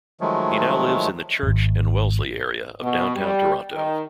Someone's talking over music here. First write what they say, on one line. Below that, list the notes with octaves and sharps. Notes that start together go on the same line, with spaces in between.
He now lives in the Church and Wellesley area of downtown Toronto.
D#3 F3 F#3 G#3 A3
D#1 G#1
B2
G3
D#3